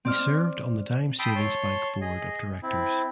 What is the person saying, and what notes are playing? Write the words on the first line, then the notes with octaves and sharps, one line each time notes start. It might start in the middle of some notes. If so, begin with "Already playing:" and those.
He served on the Dime Savings Bank board of directors.
C4 D5 F6
G5 A5 B5 C6 D#6 E6
C#5 A5 C6
G#4 D#5
C4 E4